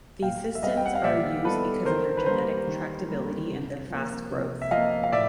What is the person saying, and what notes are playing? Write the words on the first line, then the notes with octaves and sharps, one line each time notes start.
These systems are used because of their genetic tractability and their fast growth.
A#2 F5 G5
E5
G3 B3 D#5 F5
G5
F#5
F5
A#2 D5 E5
G3 B3 A4 B4
D#3 A#4 C5
B4
G3 A#3 A#4 C5
D#3
G3 A#3
C3
F3 A#3
C3
E5
F3 A#3 D#5 F5
F5
A2 D5 E5